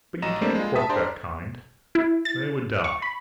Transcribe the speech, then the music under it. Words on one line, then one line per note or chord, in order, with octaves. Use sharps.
But you can't cork that kind; they would die.
A1 D#5 A#5 E7
G3 A#3 C4 D4
G#3 F4
E5 A5 D#6 B6
D4 G4 C5 D5 A#5 C6
E4
A6
C#6
B5